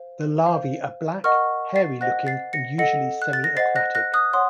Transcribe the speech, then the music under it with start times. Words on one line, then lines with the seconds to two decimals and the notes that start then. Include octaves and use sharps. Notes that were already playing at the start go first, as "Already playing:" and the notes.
The larvae are black, hairy-looking, and usually semiaquatic.
Already playing: C5 F5
0.46 C5 F5
1.24 A#4 D#5 F#5 C#6 F6
1.76 A6 C7
2.01 C5 D#5 F#5 F#6 A#6
2.27 A6 C7
2.53 A#6 C#7
2.78 A4 D#5 F#5 A#6 C#7
3.22 F#6
3.33 A6
3.44 A#6
3.57 C5 D#5 F#5 A6 C7
3.76 F#6 A#6
3.95 F#6 A#6
4.14 D#6 F#6
4.33 C#5 F#5 C6 D#6